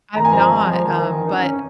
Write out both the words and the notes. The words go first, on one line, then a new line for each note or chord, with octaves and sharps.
I'm not, um, but, eh,
D#3 A#5
G#5
F3 A#5
G#3
F3
D#3
F3
D#3
D#4
C#4